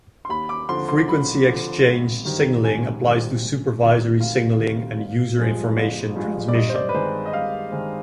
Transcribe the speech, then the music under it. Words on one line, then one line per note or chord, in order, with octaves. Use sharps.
Frequency-exchange signaling applies to supervisory signaling and user-information transmission.
C6
D#2 B5
D6
D3 F3 C4 C6
C6
D#2 B5
D3 F3 C4
G#1
G2 D#3 G3 C4
G#1 G#5
G2 D#3 G3 C4
D2
C3 D#3
D2 F5
C3 D#3
G1
G2 F3 G#3
G1
G2 F3 G#3
D5
G2 D#5
C5
D5
B4
D#3 G#3 C4 C5
D#5
G2 F5
D#3 G#3 C4